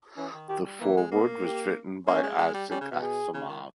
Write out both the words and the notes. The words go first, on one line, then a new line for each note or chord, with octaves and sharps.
The foreword was written by Isaac Asimov.
E3 C#4
D#3
D#3 G4
G3
E3 A#3
G#3
A#3 B3
G4
A#3 C#4
G#3
G#3
G3
G3 C#4
C#3
B2
G#4
C#3
D#3